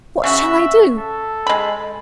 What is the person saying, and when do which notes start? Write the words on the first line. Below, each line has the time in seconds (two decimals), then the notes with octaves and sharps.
What shall I do?
0.24 C#3 F#4 E5
0.98 A4
1.47 G#3 B5